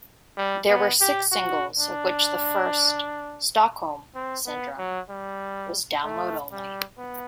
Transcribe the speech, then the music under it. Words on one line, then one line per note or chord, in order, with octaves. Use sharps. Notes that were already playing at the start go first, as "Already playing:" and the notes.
There were six singles, of which the first, "Stockholm Syndrome", was download only.
G3
B3
G4
F#4
D4
C4
B3
F#3
G3
A3
G3
B3